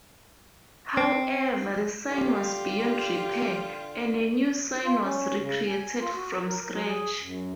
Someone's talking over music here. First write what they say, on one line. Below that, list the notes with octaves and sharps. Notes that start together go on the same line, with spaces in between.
However, the sign was beyond repair and a new sign was recreated from scratch.
C4
D3 F4 G4 G5
F4
C#4
C#3
G#5
F4
F#4
A#4
F#3
G#4
F#2